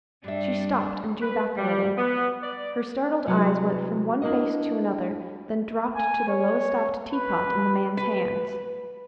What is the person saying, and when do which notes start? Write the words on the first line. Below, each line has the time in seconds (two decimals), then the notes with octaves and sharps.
She stopped, and drew back a little. Her startled eyes went from one face to another, then dropped to the Lowestoft teapot in the man's hands.
0.24 G2 G3 D4 E5
1.22 B4
1.57 G3
1.97 B3
2.43 D5
3.27 C3 F#3 E4 B4
4.22 D4 E4 A#4 C5 D#5
5.96 G#5
6.28 C#5
7.13 B4
7.97 B4